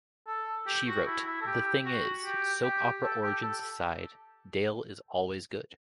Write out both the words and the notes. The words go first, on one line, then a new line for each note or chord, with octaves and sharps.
She wrote: The thing is, soap-opera origins aside, Dale is always good.
A4
G4
F#4
E4
E4
A4
G4
F#4
G4
G4
A4
G4
A4